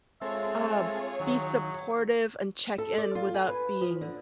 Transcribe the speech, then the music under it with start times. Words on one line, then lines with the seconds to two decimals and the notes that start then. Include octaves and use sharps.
uh, be supportive and check in without being
0.21 G#3 C4 F4 G#4 A4 C#5 E5
1.20 D#3 F#3
2.78 A4
2.98 D5
3.15 F4
3.34 G#5
3.48 B4
3.81 F3
4.01 D3